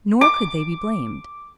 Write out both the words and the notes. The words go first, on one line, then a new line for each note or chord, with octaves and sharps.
Nor could they be blamed.
D6